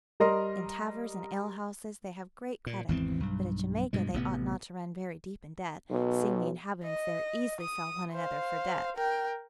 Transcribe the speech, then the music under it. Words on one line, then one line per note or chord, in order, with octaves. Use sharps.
In taverns and alehouses they have great credit; but at Jamaica they ought not to run very deep in debt, seeing the inhabitants there easily sell one another for debt.
G3 A#4 D#5 A#5 C6
A#2
G#1 E2 E3 C4
B1 G2
G2 B2 G#3
A1 C3 B3
B1
D#5
D#6
C5 F5
A#4 G5